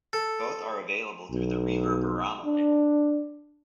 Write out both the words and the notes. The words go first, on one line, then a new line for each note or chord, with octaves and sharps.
Both are available through the Reverberama label.
A4
B1
D4